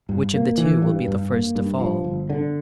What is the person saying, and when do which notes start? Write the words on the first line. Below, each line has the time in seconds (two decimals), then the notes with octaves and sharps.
Which of the two will be the first to fall?
0.09 G2
0.34 A#3
0.58 E3
0.82 G2
1.08 G2
1.32 A#3
1.55 G2
1.80 F3
2.04 G1
2.30 D3